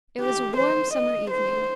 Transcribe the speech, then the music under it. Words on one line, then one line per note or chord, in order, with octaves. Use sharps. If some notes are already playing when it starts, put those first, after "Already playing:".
It was a warm, summer evening.
G4
C5
D#5
C5